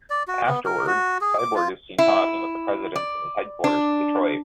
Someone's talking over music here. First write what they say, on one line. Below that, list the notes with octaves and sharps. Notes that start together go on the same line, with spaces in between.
Afterwards, Cyborg is seen talking with the President in his headquarters in Detroit.
D5
F#4
B3
A#4
F#4
G#4
D6
F4
E4
D5
D4